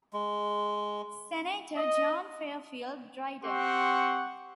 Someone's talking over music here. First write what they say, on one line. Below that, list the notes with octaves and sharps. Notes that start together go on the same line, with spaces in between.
Senator John Fairfield Dryden.
G#3
D#5
C4 G4 F#5 C6 C#6